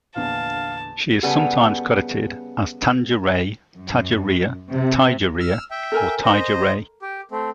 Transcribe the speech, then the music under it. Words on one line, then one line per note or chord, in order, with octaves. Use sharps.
She is sometimes credited as Tanja Rae, Taja Rea, Taija Rea, or Taija Ray.
A#1 E2 D3 F5 A5
C#3 G3 B3 G#4 A4
F#2
C3
E6 F6
E5 G5
A4 A#4 G#5
C5 D#5
G4
A3 C4